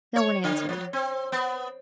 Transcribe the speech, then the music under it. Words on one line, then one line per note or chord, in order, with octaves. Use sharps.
No one answered.
C#5
D3
F3
C4
B3